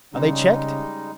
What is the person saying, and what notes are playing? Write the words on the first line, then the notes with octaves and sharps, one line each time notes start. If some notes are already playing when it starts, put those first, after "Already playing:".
"Are they checked?"
C#3 G3 G#3 D#4